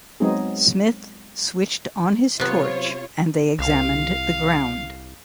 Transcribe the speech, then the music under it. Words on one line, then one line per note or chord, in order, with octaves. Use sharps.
Smith switched on his torch and they examined the ground.
F#3 G#3 B3 C4 D#4 G#4
C3 F#3 B3 C#4 F4 C5 C#5
C2 F5